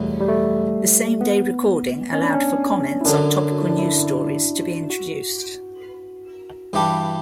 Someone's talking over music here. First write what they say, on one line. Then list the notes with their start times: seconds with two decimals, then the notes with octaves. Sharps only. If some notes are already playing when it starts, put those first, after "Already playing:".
The same-day recording allowed for comments on topical news stories to be introduced.
Already playing: E2 B2 F#3 G3 A3
0.20 G3
0.28 A3
1.21 B3
2.13 C#4
2.23 D4
2.35 C#4
3.01 E4
3.05 F#2 D3 F#3 D4
3.51 F#4
3.61 E4
3.70 D4
3.79 E4
3.93 D4
3.97 E4
4.90 F#4
6.73 G2 E3 G3 D4 G4